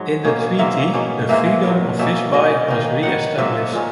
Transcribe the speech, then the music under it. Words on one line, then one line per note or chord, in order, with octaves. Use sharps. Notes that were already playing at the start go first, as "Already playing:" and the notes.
In the treaty, the freedom of Visby was reestablished.
Already playing: G#2 F#3
B2 A#3 C#4
G#2 F#3 A#3 E5
B2 A#3 C#4
G#2 E3 A#3 E5
A#2 F#3 B3
B2 A#3 C#4 E5
B2 G#3 C#4 D#5
D#3 A#3 C#4
D#3 F#3 B3 F#5
G#2 F#3 A#3 E5
A#2 G#3 C#4